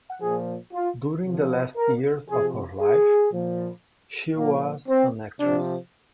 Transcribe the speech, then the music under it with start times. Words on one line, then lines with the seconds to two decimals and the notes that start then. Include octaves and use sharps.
During the last years of her life, she was an actress.
0.20 A#2 F3 G#4
0.73 F4
1.24 C3 F3
1.76 A#4
2.28 C3 F3 G#4
2.80 G#4
3.32 A#2 F3
4.36 A#2 F3 A#3
4.88 C4
5.40 C3 F3 D4